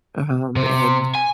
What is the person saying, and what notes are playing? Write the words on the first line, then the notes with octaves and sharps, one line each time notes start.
uh-huh um, and
C3
G#5